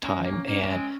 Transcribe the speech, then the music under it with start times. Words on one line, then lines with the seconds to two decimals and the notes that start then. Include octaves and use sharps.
time, and
0.03 G#3 C#4
0.25 A#3
0.32 C#4
0.47 A#3
0.62 A#3 C#4
0.70 G#3 C4